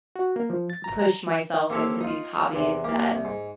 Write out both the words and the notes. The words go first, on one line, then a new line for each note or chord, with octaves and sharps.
push myself into these hobbies that
F#4
A#3
F3
A6
A#5
A#5
A#3 C4 G4 A4 C#5 A5
D#4 F4
E2 C3
A#3 G4
C2
G#2